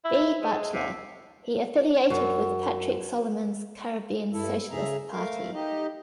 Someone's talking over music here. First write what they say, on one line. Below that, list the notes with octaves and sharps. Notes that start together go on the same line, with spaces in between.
B. Butler, he affiliated with Patrick Solomon's Caribbean Socialist Party.
E4
G#3
C3
F#2
G2 E4 A4
C#3 G#4 E5 A#5
A3 A#4 F5
D#4 G4 D#5